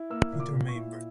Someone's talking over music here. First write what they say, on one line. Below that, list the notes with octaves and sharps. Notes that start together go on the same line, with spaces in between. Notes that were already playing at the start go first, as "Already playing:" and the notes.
Peter Meienberg.
Already playing: E4
A#3 E6
A#2
D6
A#2
C#6
E4